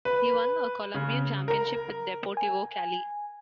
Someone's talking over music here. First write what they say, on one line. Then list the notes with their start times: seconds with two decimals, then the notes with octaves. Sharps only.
He won a Colombian championship with Deportivo Cali.
0.05 B4
0.95 C#3
1.48 A#4
2.37 G#5